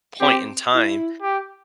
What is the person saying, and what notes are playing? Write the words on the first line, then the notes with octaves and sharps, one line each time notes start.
point in time
C4 G4
E4
G4